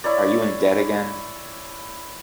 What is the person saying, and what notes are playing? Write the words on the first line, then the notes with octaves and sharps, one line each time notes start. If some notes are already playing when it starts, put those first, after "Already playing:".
Are you in debt again?
E4 C#5 D5